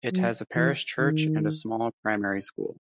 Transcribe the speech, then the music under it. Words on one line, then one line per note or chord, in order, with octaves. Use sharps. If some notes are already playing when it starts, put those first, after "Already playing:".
It has a parish church and a small primary school.
F#3
E3
D#3